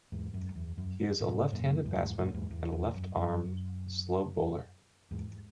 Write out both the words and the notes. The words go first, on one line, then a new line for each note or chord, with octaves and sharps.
He is a left-handed batsman and a left-arm slow bowler.
E2 G#2
F#2
E2
F#2
G#2 B2
F#2 A#2
E2 G#2
E2 G#2
F#2 A#2
E2 G#2
E2
E2
F#2
F#2
E2 G#2